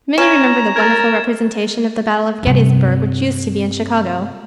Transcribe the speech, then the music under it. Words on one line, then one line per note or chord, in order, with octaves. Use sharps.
Many remember the wonderful representation of the Battle of Gettysburg which used to be in Chicago.
C#4 A#5 G#6 E7
A#4 G#6 A6
G2 C3